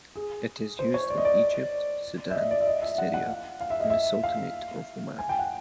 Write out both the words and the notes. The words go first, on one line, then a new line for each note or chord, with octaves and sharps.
It is used in Egypt, Sudan, Syria and the Sultanate of Oman.
G#4
C5
C#5
D5
D#5
D5
E5
D#5
D5
E5
D#5
E5
F#5
F#5
F5
F5
E5
D#5
E5
F5
G#5
G5
F#5